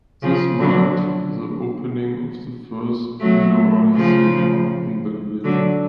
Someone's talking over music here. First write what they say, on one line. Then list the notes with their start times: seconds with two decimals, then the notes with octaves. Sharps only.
This marked the opening of the first indoor theme park in Belgium.
0.22 C#3 F3
0.60 D3 F#3
3.21 F#3 A3
3.95 C#3 F3
5.44 D3 F#3